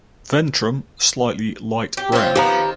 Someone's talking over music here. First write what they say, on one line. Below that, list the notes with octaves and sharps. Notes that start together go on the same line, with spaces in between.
Ventrum slightly light brown.
G4
C4 C#4 F4 C5
D#3 F3 B3 C4 G4 G#5 A#5